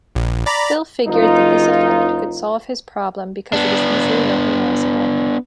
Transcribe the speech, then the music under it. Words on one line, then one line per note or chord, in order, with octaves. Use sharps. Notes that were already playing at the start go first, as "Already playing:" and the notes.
Bill figured that this effect could solve his problem because it is easily recognizable.
A#1
D5 A#5 B5
F#1 D#4 F4
B3 D4